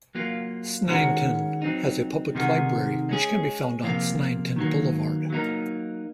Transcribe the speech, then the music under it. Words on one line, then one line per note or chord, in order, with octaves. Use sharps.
Sneinton has a public library, which can be found on Sneinton Boulevard.
F#3 A#3 F4
D#3 G#3 C#4 F#4 A#4
F#3 C4 D#4
C3 D#3 G#3 D#4 F#4
G#3 C#4 G#4
C3 F3 A#3 F4
D#3 F#3 A#3
F#3 A#3 D#4 A#4